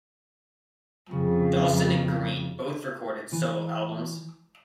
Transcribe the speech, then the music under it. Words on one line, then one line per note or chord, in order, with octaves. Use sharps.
Dawson and Green both recorded solo albums.
F2 C#3
E3